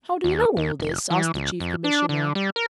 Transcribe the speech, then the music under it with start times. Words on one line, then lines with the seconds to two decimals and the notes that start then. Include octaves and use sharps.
"How do you know all this?" asked the Chief Commissioner.
0.24 D#2
0.57 D#2
0.80 F1
1.10 E3
1.34 C#2
1.60 F2
1.84 D4
2.09 D3
2.35 G3
2.56 A#4